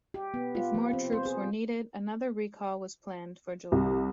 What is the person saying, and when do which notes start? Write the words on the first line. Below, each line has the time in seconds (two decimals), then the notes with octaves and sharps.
If more troops were needed, another recall was planned for July.
0.14 G4
0.34 B3
0.55 F4
0.74 F3
0.93 C4
1.12 C5
1.26 G#4
3.72 C2